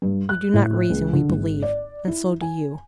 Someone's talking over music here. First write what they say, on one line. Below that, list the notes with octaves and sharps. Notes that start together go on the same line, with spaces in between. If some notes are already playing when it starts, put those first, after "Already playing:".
We do not reason--we believe; and so do you.
G2
F#6
A2
C#2
D3
G#1
D5
E4
G#5